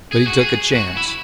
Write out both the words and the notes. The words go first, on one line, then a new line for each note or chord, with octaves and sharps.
But he took a chance.
G#4
F#4
G#4
F#4
E4